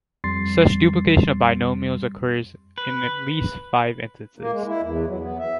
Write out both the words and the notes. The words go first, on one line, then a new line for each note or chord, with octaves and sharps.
Such duplication of binomials occurs in at least five instances.
F2 G3 C6 A6 C7
B4
A#3
G#3
E4
E2
F#3
B3
E5